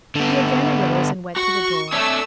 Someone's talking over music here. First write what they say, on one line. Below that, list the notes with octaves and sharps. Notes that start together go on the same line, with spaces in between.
He again arose and went to the door.
D3 B3
F#4 C#6
A3 D4 C#5 E6